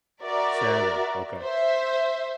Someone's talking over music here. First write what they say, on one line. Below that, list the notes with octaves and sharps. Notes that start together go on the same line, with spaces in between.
Salmon, okay.
F#4 A#4 D5 E5
C5 E5